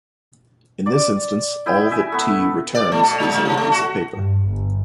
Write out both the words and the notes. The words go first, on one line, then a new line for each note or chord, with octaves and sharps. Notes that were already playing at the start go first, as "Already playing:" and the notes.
In this instance, all that T returns is a piece of paper.
D5 D6
E4 D#5 G5
E5 G#5
A3 B3
D5
A3
B2
G#3
G#3
C3
A3
F#4
G2
G1